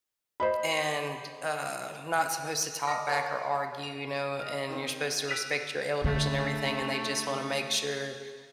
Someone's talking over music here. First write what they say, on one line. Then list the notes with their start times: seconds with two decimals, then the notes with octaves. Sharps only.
and, uh, not supposed to talk back or argue, you know, and you're supposed to respect your elders and everything, and they just wanna make sure,
0.40 C5 D#5 B5
2.87 D#5 A5 D6 F6 A#6
3.08 A#4 C#5 F#5 A5
3.83 F7
4.40 D#5 F6
4.70 D#3 C4
5.28 E6 F#6 B6 D7 D#7 F7
6.04 D3 A3